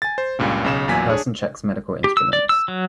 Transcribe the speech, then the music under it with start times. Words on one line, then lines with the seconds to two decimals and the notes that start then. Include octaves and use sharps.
A person checks medical instruments.
0.02 G#5 A6
0.18 C5
0.39 C#2 G2 A#2 C#3
0.64 B1 C#3 E7
0.87 A#1 E2 A#2 F#3 G#5 B6
1.09 D4 G#4 C#5
2.04 G4
2.17 E6
2.33 D5
2.49 E6
2.68 F#3